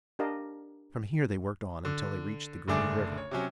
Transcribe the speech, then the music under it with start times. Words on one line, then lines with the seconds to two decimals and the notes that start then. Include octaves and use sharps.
From here they worked on until they reached the Green River.
0.19 D4 G4 A#4 D#5 F5 A5
1.85 D3
2.68 F#1 D3 A3 D4 G#4 D6
3.18 C#5
3.31 C3 F#3 C#4